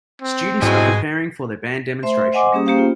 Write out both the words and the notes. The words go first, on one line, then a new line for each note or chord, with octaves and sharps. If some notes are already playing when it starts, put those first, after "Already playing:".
Students are preparing for their band demonstration.
C4
G#2 B2 G3 G#3 E4 F#4 D#5 G#5
A3 C5 E5 C6
C5 D#5 F#5 G#5 C6 D6
G3 A#3 C#4 G4 G#4 D#6
A#3 C#4 G4 C5 F5 G5
B3 F4